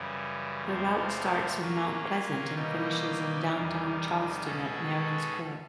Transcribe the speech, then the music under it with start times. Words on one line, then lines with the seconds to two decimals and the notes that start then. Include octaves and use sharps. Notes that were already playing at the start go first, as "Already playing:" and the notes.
The route starts in Mount Pleasant and finishes in downtown Charleston at Marion Square.
Already playing: F#2 C#3 E3 G3
0.64 E2 C3 F3 A3 C4
1.59 F#3 A#3 C#4 F4
2.54 B2 G3 A#3 D#4
3.49 E2 C3 D#3 G3
4.44 B2 G#3 C#4 F#4 A4